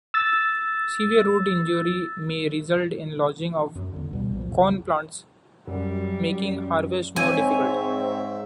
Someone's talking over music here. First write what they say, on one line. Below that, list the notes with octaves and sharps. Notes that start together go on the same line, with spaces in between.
Severe root injury may result in lodging of corn plants, making harvest more difficult.
E6 A6
F#2
E2 D3
C#2 B2 G3
B1 A#2 F3
F2 C#3
F#2 G3
G#2 C4 C#5 E5 G#5